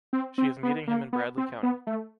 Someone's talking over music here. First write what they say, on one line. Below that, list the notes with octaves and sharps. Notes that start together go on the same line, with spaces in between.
She is meeting him in Bradley County.
C4
C4
B3
A#3
B3
C4
B3
A3